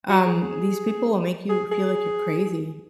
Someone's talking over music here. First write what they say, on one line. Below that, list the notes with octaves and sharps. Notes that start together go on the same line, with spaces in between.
um, these people will make you feel like you're crazy,
F#4
G#4
G#4
G#4
G#4